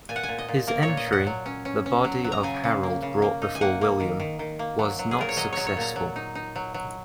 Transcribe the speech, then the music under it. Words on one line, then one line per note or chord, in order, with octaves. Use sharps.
His entry, "The Body of Harold Brought before William", was not successful.
A#2 G#5
F#5
A#2 G#5
D#5
A#2
A#3 A#4
C#5
A#2
D#5
A#2
F#5
F#3
C#4
C#4
C#4
F#3
F#3
A#5
C#3 G#5
C#3
A#3
C#3
A#3
D#4
G#5
A#3 F#5
A#3
D#3
D#3
D#3
A#3
F#3
F#3
G#4
A#2 A#4
C#5
F#3 D#5
F#3 C#5
C#5
A#2 A#5
F#3
D#4
D#4
F#3
F#3